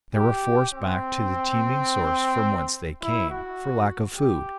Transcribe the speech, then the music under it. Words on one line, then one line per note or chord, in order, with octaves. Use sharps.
They were forced back to the teeming source from whence they came, for lack of food.
G4
C4
E4
F#4
G4